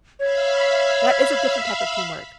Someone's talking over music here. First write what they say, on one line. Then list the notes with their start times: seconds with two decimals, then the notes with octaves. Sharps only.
That is a different type of teamwork.
0.19 C#5 E5 F5 B5